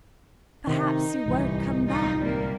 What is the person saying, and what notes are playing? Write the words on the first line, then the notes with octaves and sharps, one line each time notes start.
"Perhaps you won't come back?"
C3 D#3 D#4
D1 C2 E3
G3 D#4 F4
C3 G3 A#3